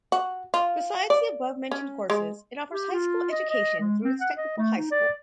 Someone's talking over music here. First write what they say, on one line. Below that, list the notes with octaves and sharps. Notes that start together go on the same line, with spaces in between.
Besides the above-mentioned courses, it offers high school education through its Technical High School.
F#4
F4
D5
C#4
G#3
G4
F4
D#5
D#5
G#3
C4
F#5
D#5
A3
D#4
D5